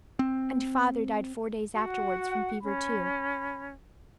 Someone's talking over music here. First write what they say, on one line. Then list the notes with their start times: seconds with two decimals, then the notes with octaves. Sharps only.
And father died four days afterwards from fever too.
0.19 C4
1.75 F#4 F#5
2.63 C#4 B5